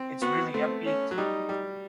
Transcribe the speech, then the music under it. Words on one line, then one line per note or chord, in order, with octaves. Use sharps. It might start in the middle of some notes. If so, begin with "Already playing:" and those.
It’s really upbeat.
Already playing: C4
B3 F#4
A3 C4
C#4
F#3
G3 D#4
G3